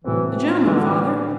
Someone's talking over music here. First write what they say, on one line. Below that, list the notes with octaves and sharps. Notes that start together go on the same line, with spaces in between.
'The gentleman, father.'
A2 E3 F#3 C4
A2 E3 F#3 C4
D3
E3